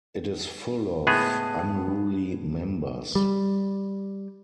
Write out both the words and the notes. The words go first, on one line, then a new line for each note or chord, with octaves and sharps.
It is full of unruly members.
A2 G#3 B3 G#4
G3